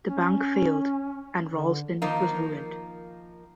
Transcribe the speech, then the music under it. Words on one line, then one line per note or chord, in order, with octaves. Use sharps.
The bank failed, and Ralston was ruined.
C#4
D3
D#3 F3 A#3